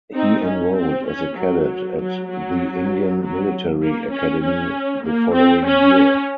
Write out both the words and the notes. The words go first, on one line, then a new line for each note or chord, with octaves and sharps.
He enrolled as a cadet at the Indian Military Academy the following year.
C4 D#4
C#4
C4
C#4
F#3
F#3
F#3
F#3
A#3
C#4
C#4
A#3
C4
C#4